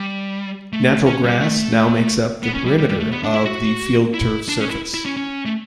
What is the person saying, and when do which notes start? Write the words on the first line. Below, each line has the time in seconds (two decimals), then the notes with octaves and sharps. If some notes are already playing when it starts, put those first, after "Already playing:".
Natural grass now makes up the perimeter of the FieldTurf surface.
Already playing: G3
0.73 A3
1.06 C#4
1.23 G3
1.40 A3
2.43 B3
2.54 C#4
2.65 G3
2.78 G3
2.89 G3
3.00 A3
3.12 B3
3.23 D4
3.34 E4
3.45 F#4
4.14 E4
4.49 D4
4.60 C#4
4.71 E4
4.94 E4
5.05 C#4
5.17 C#4
5.45 A3